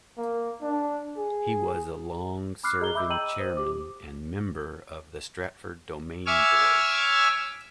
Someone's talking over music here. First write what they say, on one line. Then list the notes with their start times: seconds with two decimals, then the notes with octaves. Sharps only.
He was a long-serving chairman and member of the Stratford Domain Board.
0.17 A#3
0.62 D4
1.17 G#4
2.64 B5 D6 F6 F#6 C7
2.81 G#4 D#5 A#5 G7
2.95 E5 B5 D6 E6 G6
3.10 D#5 G5 A#5 E6 D#7 F#7
3.39 C5 D#6
3.57 G4 D6
6.26 C#5 E5 G#5 D6 E6 F6